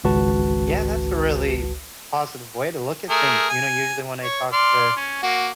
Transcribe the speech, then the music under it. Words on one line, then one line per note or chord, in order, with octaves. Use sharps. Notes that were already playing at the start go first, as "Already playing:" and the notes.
Yeah, that's a really positive way to look at things. You know, usually when I talk to
G#1 C#2 F#4 B4 A5
A3 G#4 A#4
G#5
C#5
D5 C6 F6
C#4
A#3 F#4